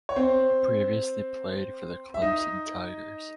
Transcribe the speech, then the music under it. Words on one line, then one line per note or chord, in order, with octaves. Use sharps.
He previously played for the Clemson Tigers.
C#5
C4 C5
E5
D#4 D#5